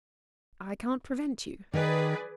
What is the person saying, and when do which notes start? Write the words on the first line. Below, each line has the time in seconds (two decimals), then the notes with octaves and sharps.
"I can't prevent you."
1.74 D#3 G#4 B4 D5